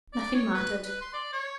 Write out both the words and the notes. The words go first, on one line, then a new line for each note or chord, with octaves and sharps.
Nothing mattered!
D5
C#5
B4
B4
C6
D5
C#5